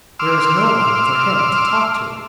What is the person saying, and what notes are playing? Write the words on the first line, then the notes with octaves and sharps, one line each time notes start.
"There is no one for him to talk to."
C6 D6 E6 F6